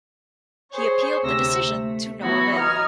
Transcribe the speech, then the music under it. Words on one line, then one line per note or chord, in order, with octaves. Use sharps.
He appealed the decision to no avail.
G#4 C5 C#5
D2 C3 E6 A#6
A3
E3 F#3 B3 E4 F#4
D#5 A#5 F6 G#6